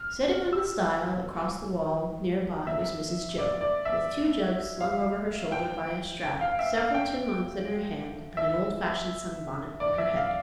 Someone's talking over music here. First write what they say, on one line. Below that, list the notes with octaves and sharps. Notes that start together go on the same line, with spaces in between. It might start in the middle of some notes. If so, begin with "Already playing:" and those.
Sitting on the stile that crossed the wall near by was Mrs Jo, with two jugs slung over her shoulder by a strap, several tin mugs in her hand, and an old-fashioned sun-bonnet on her head.
Already playing: F6
E6
E5
D5
D5
E5
F5
G5
G5
F5
E5
F5
G5
E5
D5
E5
F5